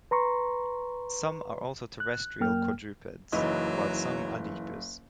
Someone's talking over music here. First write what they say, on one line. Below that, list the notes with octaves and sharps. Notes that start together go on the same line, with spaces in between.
Some are also terrestrial quadrupeds, while some are leapers.
B4 A#5 C6 C#6
F#6
F#2 A#3 G5 F6
F#1 E3 F#3 D#4